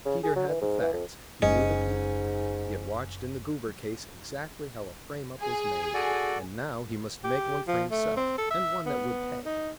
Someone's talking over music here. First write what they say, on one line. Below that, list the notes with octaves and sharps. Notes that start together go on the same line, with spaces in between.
Peter had the facts, he knew the people; he had watched in the Goober case exactly how a "frame-up" was made, and now he must make one for himself, and one that would pay.
C#3
G#4
F#3
E3
G#2
E3
F2
F#1 G#2 C#4 D#5
G#4
F#4 A4 D5
G4
F3
A3
C4
A4
E5
B3
D#4